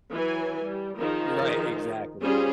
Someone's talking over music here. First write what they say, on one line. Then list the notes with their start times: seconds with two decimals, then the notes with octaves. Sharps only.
Right, exactly.
0.11 E3 F#3 G#5
0.61 G3
0.98 D#3 F3 D#4 G#4 A#4
2.22 G3 C#4 F4 G#4 C5